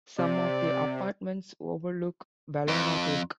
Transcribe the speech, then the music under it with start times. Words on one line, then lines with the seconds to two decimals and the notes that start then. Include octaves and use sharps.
Some of the apartments overlook Ballona Creek.
0.18 C3 D5
2.68 F2